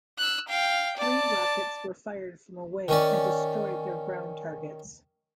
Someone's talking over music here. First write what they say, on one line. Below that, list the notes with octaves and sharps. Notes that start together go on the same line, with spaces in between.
Three rockets were fired from away and destroyed their ground targets.
E6 F#6
F5 G5
D5 A5
D#3 C#4 D5